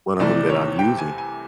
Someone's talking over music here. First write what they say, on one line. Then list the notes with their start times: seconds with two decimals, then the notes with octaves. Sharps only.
one of 'em that I'm using,
0.20 C2 C3 E3 A3 D5
0.49 C#5
0.79 G5
0.98 G#5
1.18 G#5